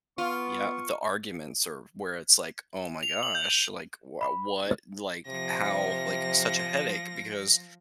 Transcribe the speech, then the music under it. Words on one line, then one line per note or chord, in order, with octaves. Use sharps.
yeah, the arguments are where it's like, "Oh my gosh, like wh what like, how" like, such a headache because
B3 F4 C#6
F7
F#7
G6
F7
B5
C3 F3 A#6